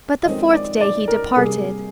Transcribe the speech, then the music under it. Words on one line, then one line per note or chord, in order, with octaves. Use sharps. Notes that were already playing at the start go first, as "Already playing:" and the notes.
But the fourth day he departed!
F2 D#3 G#3 C4 D#5
D5
D5
A#4
C3 G3 A#3 G#4